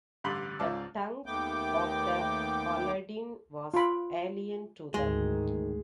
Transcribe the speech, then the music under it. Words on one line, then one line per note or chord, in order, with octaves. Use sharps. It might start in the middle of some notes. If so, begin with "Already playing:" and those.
The tongue of the Haladin was alien to them.
A1 G2 D3 B5 C6
C#2 G#2 F4 D5 A5
D#2 D#3 A3 B3 G5 D6
F4 B5
D2 G#2 D#3 G#3